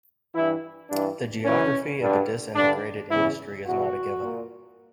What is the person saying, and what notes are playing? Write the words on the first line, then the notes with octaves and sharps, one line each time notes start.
The geography of a disintegrated industry is not a given.
G2 E3 E4
G2 E3 D4
F#2 E3 C#4
G2 D3
G2 D3 D4
E2 C#3 E3 E4
E2 B2 F#4
A#2